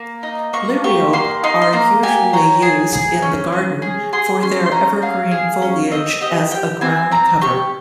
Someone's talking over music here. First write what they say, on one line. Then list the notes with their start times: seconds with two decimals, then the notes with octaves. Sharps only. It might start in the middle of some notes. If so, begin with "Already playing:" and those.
"Liriope" are usually used in the garden for their evergreen foliage as a groundcover.
Already playing: A#3
0.23 D#4
0.53 A#3 C#6
0.84 G4 C#6
1.13 A#3 C6
1.44 D#4 C6
1.62 C6
1.73 A#3 A#5
2.03 G4 G#5
2.33 C#4 A#5
2.62 G#4
2.93 G#4
3.22 C#4
3.52 C#4
3.82 G#4
4.13 G#4 C6
4.42 C#4 C6
4.66 C6
4.72 C#4 A#5
5.02 G#4 F5
5.31 G#4
5.62 C#4
5.91 C4 D#5
6.21 G4 D#5
6.51 G4 G5
6.81 C4 G#5
7.11 C4 A#5
7.41 G4 C#6